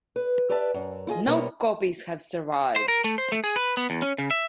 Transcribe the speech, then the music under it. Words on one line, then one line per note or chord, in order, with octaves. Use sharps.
No copies have survived.
B4
G4 B4 D5 E5 A5
F#2
E4 F4 G#4 D#5
B2 G3 A#3 B3 C5 C#5
C5
A#4
A3
C5
A3
G#4
B4
B3
E2
C#4
C#3
E5